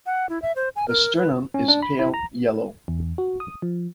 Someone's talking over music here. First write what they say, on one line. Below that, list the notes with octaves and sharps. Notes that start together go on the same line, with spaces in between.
The sternum is pale yellow.
F#5
E4
E5
C5
G#5
A#4
B4
C#4
D4
B5
E4
A#5
E2
F#4
D#6
F3